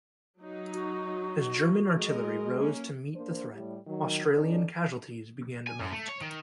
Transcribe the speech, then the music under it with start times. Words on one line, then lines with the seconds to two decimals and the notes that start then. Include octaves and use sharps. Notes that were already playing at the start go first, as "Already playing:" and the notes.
As German artillery rose to meet the threat, Australian casualties began to mount.
0.40 F#3 D#4
0.73 F#4
1.97 F#3 G#3 A#4 D#5
2.58 A#3 C#4
3.15 A#3 D4 C5
3.54 A2 G3
3.87 D#3 F#3
4.36 C#4 D#4 A4 D5
5.67 G#5
5.80 F#2
5.92 A3
6.09 C#5
6.22 D#3